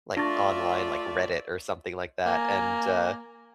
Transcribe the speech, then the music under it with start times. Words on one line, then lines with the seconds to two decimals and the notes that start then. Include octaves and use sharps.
like, online, like, Reddit or something like that, and, uh,
0.17 A3 D4 F4 D5 E5 C#6 A6 A#6
2.26 A#3 G#5 A#5